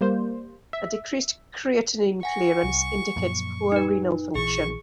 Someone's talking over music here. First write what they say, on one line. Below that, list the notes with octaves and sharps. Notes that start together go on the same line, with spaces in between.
A decreased creatinine clearance indicates poor renal function.
G3 A#3 C5
E5
F#5 G#5 C#6 A#6
C2
F#2 A#2 F3
D#4 B4
A#1 E3 G#4 C#6